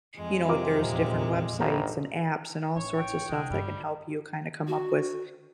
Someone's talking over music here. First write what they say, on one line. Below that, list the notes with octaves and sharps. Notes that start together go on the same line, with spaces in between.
you know, there's different websites, and apps, and all sorts of stuff that can help you kinda come up with
F2 G#3
C3 F4 A#4 D6
E2 A#2
G#1 A#3 A#4 A#5
A1 C#5
G5
C2 G#3
G2 G3
F#4